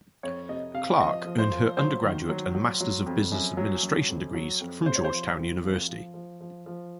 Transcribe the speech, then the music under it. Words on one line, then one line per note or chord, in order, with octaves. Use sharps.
Clark earned her undergraduate and Masters of Business Administration degrees from Georgetown University.
F2 C#5
C3 D#5
C3 F5
F3 D#5
F3
C5
F3
F#3 C5
D#3
F#3
F#3
F#3
F2
F#2
F#3
F#2
F2
F#3
F2
C3 C5
C#5
C5
F3
F2
F3
F3
F3
F3
F3